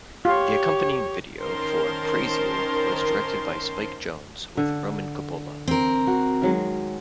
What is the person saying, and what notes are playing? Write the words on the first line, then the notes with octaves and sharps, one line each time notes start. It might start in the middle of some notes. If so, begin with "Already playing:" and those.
The accompanying video for "Praise You" was directed by Spike Jonze with Roman Coppola.
F4 G4 C#5
D#3 C#4 A#4 C5 A5 C6
D3
C4 A#4
F#4
D#3 F#3 G#3